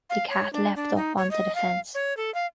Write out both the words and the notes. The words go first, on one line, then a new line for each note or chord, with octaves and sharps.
The cat leapt up on to the fence.
F5
C#5
D4
D4
D#4
C#5
D#5
F5
C#5
A4
F5